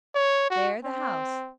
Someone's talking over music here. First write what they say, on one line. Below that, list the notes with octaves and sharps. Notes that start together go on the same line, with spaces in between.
There the house.
C#5
F#4
C4